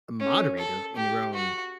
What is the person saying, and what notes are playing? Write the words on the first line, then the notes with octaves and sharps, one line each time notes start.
a moderator in your own
C#4
A4
G4
F#4